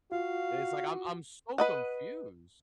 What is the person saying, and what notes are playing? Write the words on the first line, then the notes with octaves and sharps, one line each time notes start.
It's like I'm I'm so confused.
F4 F#4 F5
B4 D#5 F#5